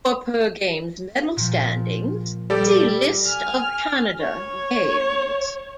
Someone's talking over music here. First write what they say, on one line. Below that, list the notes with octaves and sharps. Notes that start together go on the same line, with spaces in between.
For per Games medal standings see List of Canada Games.
A#2 F3
G3 G4 A4 D5 D6
G#5 F6
C#5